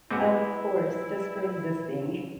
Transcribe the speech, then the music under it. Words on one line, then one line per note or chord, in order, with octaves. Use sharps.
Of course, just for existing.
G#3 B3 C4 E4 F#4 D6